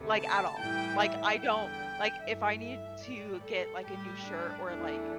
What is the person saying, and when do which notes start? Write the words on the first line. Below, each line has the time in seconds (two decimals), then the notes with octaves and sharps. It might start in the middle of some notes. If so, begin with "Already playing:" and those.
Like, at all, like, I don't like, if I need to get, like, a new shirt or, like,
Already playing: D2 C3 A3
0.17 A5
0.58 A2 E3 G3 G5
0.99 E5
1.39 E2 D3 G3 G5
2.21 G2 E3 A3 E5
2.62 E5
3.03 A2 G3 D5
3.44 A4
3.85 A2 G3 G4
4.25 D4
4.67 E2 E3 A3 D4